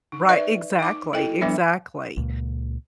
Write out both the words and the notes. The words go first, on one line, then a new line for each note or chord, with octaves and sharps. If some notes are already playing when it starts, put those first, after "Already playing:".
Right, exactly, exactly.
D#4
D#4 B4 D5 E5
D#4 D6
E4 A4 D#5 G5
F3 G3 B3 D4 B4 E5
C#2 A#2